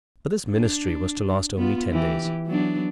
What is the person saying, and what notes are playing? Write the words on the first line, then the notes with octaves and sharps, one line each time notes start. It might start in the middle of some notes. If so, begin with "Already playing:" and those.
But this ministry was to last only ten days.
D4
B3 F4
E3 G4
F#3 B3 D4